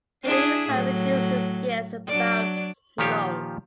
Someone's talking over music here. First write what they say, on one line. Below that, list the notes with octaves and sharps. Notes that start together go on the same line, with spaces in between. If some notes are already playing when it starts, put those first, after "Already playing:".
The leaves are reduced to scales about long.
D4 E4 G#4
A2 F#3
F#3 D4 D5
A#2 D#3 F3 G4 C#5 F5